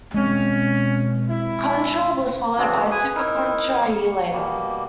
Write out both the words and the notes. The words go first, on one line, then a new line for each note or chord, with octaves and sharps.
"Contra" was followed by "Super Contra" a year later.
B2 G#3 C4 C#4
E4
C#3 E3 B3 C4 D4 F#4
G#4 B4 G#5 D#6
D#4 E4 A#4
C#6
B2 G3 A#3